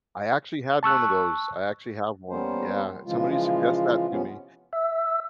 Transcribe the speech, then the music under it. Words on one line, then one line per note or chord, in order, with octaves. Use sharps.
I actually had one of those, I actually have one, yeah, somebody suggested that to me.
A5 C#6 E6 F#6
G3 A#3 B3 C#4 C5
C#3 E3 F3 G#3 F4
C3 F3 B3 C#4
E5